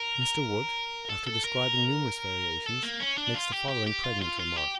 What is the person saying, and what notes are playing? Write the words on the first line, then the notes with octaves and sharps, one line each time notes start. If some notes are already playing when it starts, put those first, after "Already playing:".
Mr. Wood, after describing numerous variations, makes the following pregnant remark.
Already playing: A#4
A4
A4
A#4
A4
A#3
C#4
D4
F4
G4
G4
G4
F4
F4
F4
G4